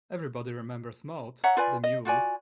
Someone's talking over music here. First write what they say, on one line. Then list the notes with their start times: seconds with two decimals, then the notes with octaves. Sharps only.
Everybody remembers Maud, the mule.
1.44 C#5 E5 F#5 A#5
1.57 F4 B4 D5 G#5
1.84 D#5
2.05 F4 F#4 D5 G#5